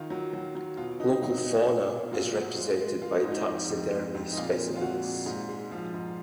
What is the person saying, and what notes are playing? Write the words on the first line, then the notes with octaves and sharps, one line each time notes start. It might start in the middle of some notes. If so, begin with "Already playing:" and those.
Local fauna is represented by taxidermy specimens.
Already playing: D#3 F4
F#3
F#3
F#3
B2 F4
B2 D#4
F#3 D#4
B2 D#4
F#3
A#2
F#3 F4
F#3
G#3
G#3
G#3 F4
D#4
G#2
D#4
F2
F2
G#3
F2
D#4
A#2 F4
G#3
F4
G#3 F#4
A#2
G#2
G#3
F3 F4
G#2